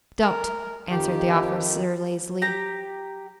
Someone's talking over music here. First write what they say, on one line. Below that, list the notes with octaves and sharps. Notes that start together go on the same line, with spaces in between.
"Don't," answered the officer lazily.
A#4
F2 D#3 F3 G4
G4 A#5